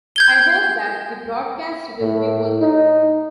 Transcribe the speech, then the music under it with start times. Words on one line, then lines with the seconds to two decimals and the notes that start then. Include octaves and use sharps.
I hope that the broadcast will be worth it.
0.16 G6 G#6 G7
2.01 A2
2.61 D#4